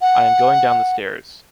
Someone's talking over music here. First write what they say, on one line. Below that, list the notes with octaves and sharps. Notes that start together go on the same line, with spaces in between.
I am going down the stairs.
F#5